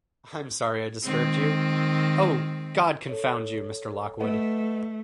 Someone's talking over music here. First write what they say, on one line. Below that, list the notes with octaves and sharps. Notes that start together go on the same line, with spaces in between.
I’m sorry I disturbed you. Oh, God confound you, Mr. Lockwood!
D#3 G#3 C4
A4 C#5
A3 B4 D#5 F#5